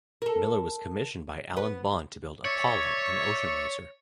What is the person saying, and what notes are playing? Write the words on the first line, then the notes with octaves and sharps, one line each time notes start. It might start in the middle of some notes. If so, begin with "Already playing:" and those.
Miller was commissioned by Alan Bond to build "Apollo", an ocean racer.
A4 A#4
B3 B4
C#5 D5 E5 C#6